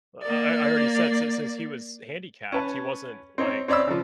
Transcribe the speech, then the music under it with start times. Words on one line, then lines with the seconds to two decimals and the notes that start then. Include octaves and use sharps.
I I I already said since since he was handicapped, he wasn't, like,
0.22 A#3 D5
2.52 C#4 B4 A5
3.38 C4 D#4 C#5
3.68 C4 C#5 D5 B5 E6
3.87 C#3 F3